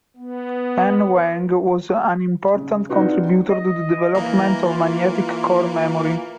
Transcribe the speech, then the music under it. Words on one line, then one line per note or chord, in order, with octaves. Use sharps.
An Wang was an important contributor to the development of magnetic core memory.
B3
C#3
C4 D4 D#4 F4 F#4 B4
D#5
E3 A#3 A#5
F4